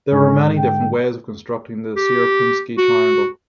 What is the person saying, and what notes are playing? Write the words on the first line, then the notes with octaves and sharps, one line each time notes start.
There are many different ways of constructing the Sierpinski triangle.
G#2 D3 G#3 C#4
G5
G4
F#4